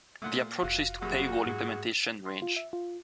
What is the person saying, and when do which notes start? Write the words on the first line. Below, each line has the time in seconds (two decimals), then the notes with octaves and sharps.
The approaches to paywall implementation range.
0.22 A#2 A3 F#5 C6
0.63 F1 F4 F#4
1.02 F#2 A#2 G3 F#4 G#4
1.46 G#2 G#4
2.26 C6
2.42 F4
2.57 E5
2.73 F4